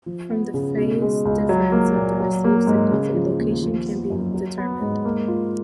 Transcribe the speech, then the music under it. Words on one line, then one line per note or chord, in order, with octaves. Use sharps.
From the phase difference of the received signals, a location can be determined.
F3
B3
C#3
B2
G#3
C#2
F#3
A#3
A#2
F#3
A#3
G#2
C#3
F3
D#2
F3
B3
F#2
F#3
B3
G#2
A#3
F4